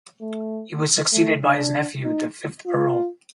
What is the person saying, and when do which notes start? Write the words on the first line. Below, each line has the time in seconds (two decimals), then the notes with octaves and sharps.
He was succeeded by his nephew, the fifth Earl.
0.21 A3
1.13 A3
1.44 D4
2.04 D#4
2.66 F4